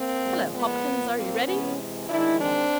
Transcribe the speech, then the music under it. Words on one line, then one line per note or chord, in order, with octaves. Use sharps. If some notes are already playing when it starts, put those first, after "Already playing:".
"Hullo, Hopkins, are you ready," said Irene.
Already playing: A#3 C4
A#2 F3 G#3
B3
A#2 F3 A#3
A#3 C4
C3 E3 G#3 B3 C#4
D#3 G#3 D4 E4
C4 D4